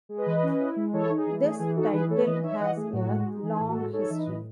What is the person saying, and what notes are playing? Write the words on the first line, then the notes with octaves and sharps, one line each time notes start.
This title has a long history.
G#3
B4 D#5
E3
C#4
E4
G#3
E3 A4 C#5
D#4
G#4
E3
A3 G#4
E3 G#4
D#4 F#4 A4
E3 G#4 B4
A3 A4 C#5
E3 B4 D#5
D#4 C#5 E5
E3 D#5 F#5
A3 G#4
A2 F#4
G#3
D#4
E3 G#4
A2
F#4 A4
G#3
D#4 A4 C#5
E3 E5
B4 D#5
A2